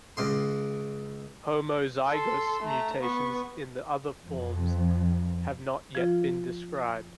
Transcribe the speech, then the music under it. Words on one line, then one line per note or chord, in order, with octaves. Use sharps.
Homozygous mutations in the other forms have not yet been described.
C#2 C#3 C6
A4 C6
A3 A#5
B3 C#6
F2
F3 F4